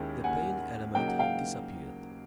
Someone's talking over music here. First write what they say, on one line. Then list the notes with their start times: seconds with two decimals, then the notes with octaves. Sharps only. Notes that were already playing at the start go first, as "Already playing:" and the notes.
The pain element had disappeared.
Already playing: D#2 D#3 G#3 C#4 E4
0.24 F#5 G#5
0.95 C#3 F#3 A#3 D#4 G5
1.08 F#5
1.19 F5 G5